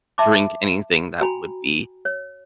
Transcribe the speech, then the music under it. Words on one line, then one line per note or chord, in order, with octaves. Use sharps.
drink anything that would be
D#5 E5 A5 C6 D6
F#4 G5 G#5 A#5 B5
C#5